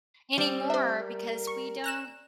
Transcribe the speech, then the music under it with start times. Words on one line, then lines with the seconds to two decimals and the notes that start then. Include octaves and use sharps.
anymore, because we don't
0.38 G3 C4
0.70 C5 E5
1.00 A#4
1.47 C#6
1.84 A#5 F#6 E7